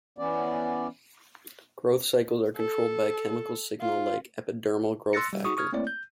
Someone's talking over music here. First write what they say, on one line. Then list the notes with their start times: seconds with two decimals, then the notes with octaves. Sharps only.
Growth cycles are controlled by a chemical signal like epidermal growth factor.
0.18 E3 B3 C#4 D5
2.57 A4
3.81 F4
5.13 C6 E6 F#6 A6 A#6 C#7
5.33 G3
5.45 D#4 F#4 G#4 C#6 D#6
5.57 C#6 D#6 F6 G#6
5.73 A3 A#3 C4 E4 C#5 D5
5.87 G6